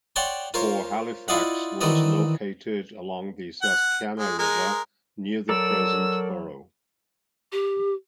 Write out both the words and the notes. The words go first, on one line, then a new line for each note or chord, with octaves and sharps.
Fort Halifax was located along the Susquehanna River near the present borough.
C#5 D5 F#5 G5 A5 C6
F4 A#4 C5 C#5
E4 F4 D5 D#5 F5 F#5
D#3 E3 C4 F#4 D5 D#5
F#5
G#3
G#3 A#4
F#3 A4 A#4 D5 E6
G4